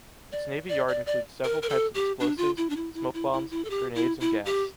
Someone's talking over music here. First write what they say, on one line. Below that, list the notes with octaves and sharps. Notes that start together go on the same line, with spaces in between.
Its navy yard includes several types of explosives, smoke bombs, grenades and gas.
D5
D5
D5
D5
A#4
A#4
A4
G4
D4
F4
E4
D4
E4
E4
E4
E4
E4
A4
G4
E4
E4
G4